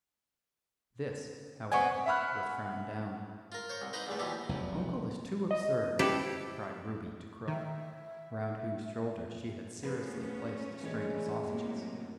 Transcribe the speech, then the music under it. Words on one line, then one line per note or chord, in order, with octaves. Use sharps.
This, however, was frowned down. "Uncle is too absurd," cried Ruby to Crook, round whose shoulders she had seriously placed a string of sausages.
B3 C4 D#5 G#5 C#6
E5 F#5 B5 F6 F#6
F4 A#4
C5 C#5
C2
D#4 B4 C5 D#5 A#5
E2 G2 A3
A#1 D#2 B2 E3 G4
F1 B1 E2
D#5
E4 G4 A4 B4
D#3 E5
F3 A3 B3 C#4 G#4 B4
E3 G#3 G4 C#5 D5
F#2 A2 C3 A#3